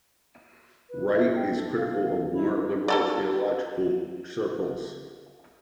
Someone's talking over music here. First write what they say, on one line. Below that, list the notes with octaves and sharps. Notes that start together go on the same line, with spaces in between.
Wright is critical of more liberal theological circles.
B4
E5
G5
A4
F5
E4
A#3 A4 D5